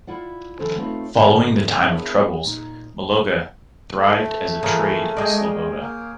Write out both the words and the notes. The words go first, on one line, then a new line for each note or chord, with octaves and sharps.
Following the Time of Troubles, Mologa thrived as a trade "sloboda".
E4 F4 D5 F#5
D3 E3 F#3 C#4 A4 C5
A3 C4 D#4 F4 B4 C#5
G#2 D3 D#3 B3 C#4 E4
B3 D4 E4 G#4 A#4 C#5
A#2 D#4
A3
E3 F3 A#3 C#4 G#4
G#3 G#4 D5 G5 D#6
A#3